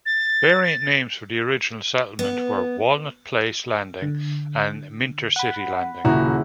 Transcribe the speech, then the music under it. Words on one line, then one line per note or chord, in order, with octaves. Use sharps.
Variant names for the original settlement were "Walnut Place Landing" and "Minter City Landing".
A6
B3
D3
F#5 B5
D#1 A#2 C#3 E4 F#4 A#5